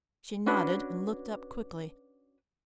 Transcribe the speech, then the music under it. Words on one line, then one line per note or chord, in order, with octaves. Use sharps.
She nodded, and looked up quickly.
C#4 D4 F#4 B4